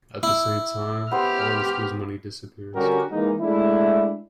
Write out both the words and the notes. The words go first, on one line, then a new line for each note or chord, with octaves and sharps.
At the same time, all the school's money disappears.
E4
B3 G4 C5 F6
D3 G3 C#4 F#4 G4 A#4
E3 G#3 A#3 D#4
G#3 A3 D4 E4